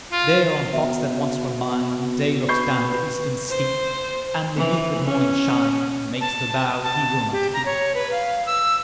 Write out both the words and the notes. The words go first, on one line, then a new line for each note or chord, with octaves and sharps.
There, on thoughts that once were mine, Day looks down the eastern steep, And the youth at morning shine Makes the vow he will not keep.
F4
B2 E5
B4 B5 C#6 G6 C7
C5
E3
C#4
A5
A5
G4
A#5
C#5
B4
F5
E6